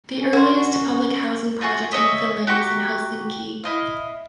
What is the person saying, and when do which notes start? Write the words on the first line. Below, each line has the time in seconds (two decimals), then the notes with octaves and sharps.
The earliest public housing project in Finland was in Helsinki.
0.16 C#4
0.33 F#4 A#4 C6
1.61 F4 F#4 G#4 C#6
1.92 G#4 C#5 D#5 E5
2.47 F#4 G4 A#5 C#6
3.64 E4 D#5 F5